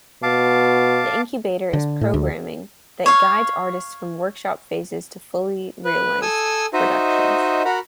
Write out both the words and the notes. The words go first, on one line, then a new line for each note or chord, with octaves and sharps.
The Incubator is programming that guides artists from workshop phases to fully realized productions.
B2 F5 A5 D6
D3
A2
D2
C#5 F5
B4
A4 G#5 D#6 E6
D#4 F#4 C5 D#5 E5
F#4 A#4 F#5 B5